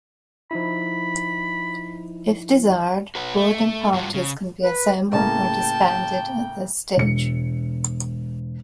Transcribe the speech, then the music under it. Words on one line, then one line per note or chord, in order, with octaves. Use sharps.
If desired, boarding parties can be assembled or disbanded at this stage.
F3 D#4 E4 B5
F#4 B4 C#5 F#5
A3
G2 G3 F4 F#4
C#3
B4
A2 C#3 A#3 G5 A5
E1 C#7